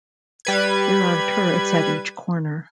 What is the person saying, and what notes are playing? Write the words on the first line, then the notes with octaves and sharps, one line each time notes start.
There are turrets at each corner.
G3 B4 G#6